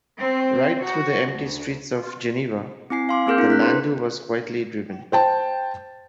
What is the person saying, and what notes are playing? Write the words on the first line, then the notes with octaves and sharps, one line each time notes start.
Right through the empty streets of Geneva the landau was quietly driven.
C4
F#4
D2
C4 E4 G#5 C7
F5 C6 D6
A#3 C4 G#4 A#4 F6 G6
D4 E4 G#4 A#4
F#6 B6
B4 C5 C6
C5 G5 A5